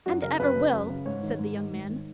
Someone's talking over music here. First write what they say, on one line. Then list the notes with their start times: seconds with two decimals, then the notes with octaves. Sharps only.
'And ever will!' said the young man.
0.06 F#2 F#4
0.22 C#3 A#4
0.39 F#2 B4
0.55 C#3
0.73 F#2
0.90 C#3
1.06 G#2 C#5
1.23 D#3
1.39 G#2
1.56 D#3
1.73 G#2
1.89 D#3